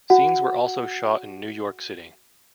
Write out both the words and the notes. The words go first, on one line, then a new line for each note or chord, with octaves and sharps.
Scenes were also shot in New York City.
F#4 F#5